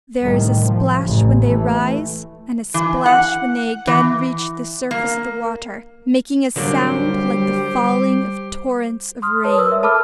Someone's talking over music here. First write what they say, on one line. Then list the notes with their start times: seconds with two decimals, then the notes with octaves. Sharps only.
There is a splash when they rise, and a splash when they again reach the surface of the water; making a sound like the falling of torrents of rain.
0.22 C2 A2 D3 D#3
0.61 F3
1.03 A1 C#3
1.42 E3 A3
2.74 E3
3.06 F#5
3.87 E3
4.91 A#3
6.56 D3 F#3 G3 A#3 G4 C5
9.22 C6 D#6 F6
9.43 B4 C#5 A5 D#6
9.55 A#4 D5 E6
9.70 A#4 E5
9.83 A4 A5 B5 D6 E6 F6